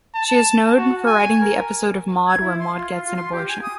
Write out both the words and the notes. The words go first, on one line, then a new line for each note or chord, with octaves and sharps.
She is known for writing the episode of "Maude" where Maude gets an abortion.
A5
F#4
G#5
A#4
G#6
E4
C6
F4
F4
F4
C6
G4
G#5
D#6